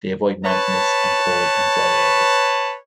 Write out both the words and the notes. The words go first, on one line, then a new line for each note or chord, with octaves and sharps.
They avoid mountainous and cold and dry areas.
B4 C#5 A5